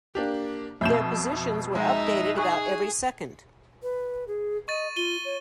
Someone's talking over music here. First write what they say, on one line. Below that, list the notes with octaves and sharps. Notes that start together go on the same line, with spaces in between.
Their positions were updated about every second.
A#3 D4 G4
F2 B2 E5 G6 E7
G#3 D#4 E5
D#4 G#4 C#6 F#6
B4
G#4
D#5 C#6 A6 D#7
F4 D#7 G7
C#5